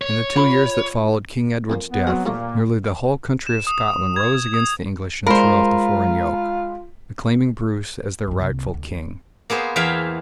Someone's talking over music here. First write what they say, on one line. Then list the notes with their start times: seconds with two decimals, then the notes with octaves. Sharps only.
In the two years that followed King Edward's death nearly the whole country of Scotland rose against the English and threw off the foreign yoke, acclaiming Bruce as their rightful king.
0.02 C#5
0.35 F4 B5
1.70 F2 A#2 A#3
1.91 B3
2.07 F#3 C4 F#4 G#4
2.26 G2 A#2 F3 A3 A#3
3.47 E7
3.67 D#6
4.16 G#6
4.54 D#6
5.27 G#3 F4 A#4 C5 B5
8.27 G2 B3
8.40 C2 A#3
8.74 D2
9.50 A#3 B3 G#4 C5
9.76 E2 E3 G#4 E5 F5 G5